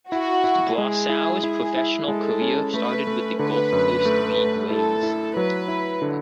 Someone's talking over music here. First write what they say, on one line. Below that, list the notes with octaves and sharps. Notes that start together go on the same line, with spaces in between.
Brosseau’s professional career started with the Gulf Coast League Rays.
E4 F#4
E4
G#3 G#4
E4
E4
E4
G#3 A4
C#4
A3 B4
A3
D3 B4
F#2
A3
A3
E4 A4
E4
F#3 B4
E4
D3